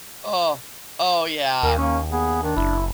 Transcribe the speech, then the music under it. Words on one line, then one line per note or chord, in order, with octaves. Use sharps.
Oh! Oh, yeah.
D#2 D#3 A#4
A#3 C#4
B3 G#4
D#3 D4
F#1 E4